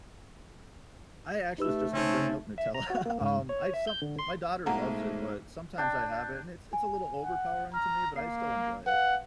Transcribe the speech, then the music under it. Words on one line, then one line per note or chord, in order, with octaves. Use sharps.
I actually was just gonna bring up Nutella. Um, I some my daughter loves it, but sometimes I have it, and it's it's a little overpowering to me, but I still enjoy it.
A3 D#4 G4 B4 E6
C#3 C4 C#4 D#4 A4
E5
A#5
F#4
A#3
G#2
C#5
E5
G6
D3
C6
B1 G#2 A3 A#3 A#4 F#5 A#5
D4 G5
G#5
F#5
A#5 F6
A#3 C7
B4 F5 F#5